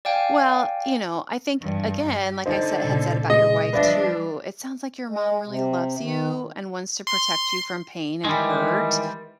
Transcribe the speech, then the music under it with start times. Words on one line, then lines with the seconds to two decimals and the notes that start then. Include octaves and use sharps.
Well, you know, I think, again, like I said had said about your wife too, it sounds like your mom really loves you, and wants to protect you from pain and hurt.
0.05 D5 F5 G5 G#5
1.56 G2 E3
2.07 G4
2.46 D3 D#4 A4 C5
2.84 A#2 C#3
3.30 G#3 D#5
3.73 F3 G3 D4 B4 D5 E5
5.09 G#3
5.46 C3
5.99 D#3
7.07 C6
8.25 D#3 E3 G3 G#3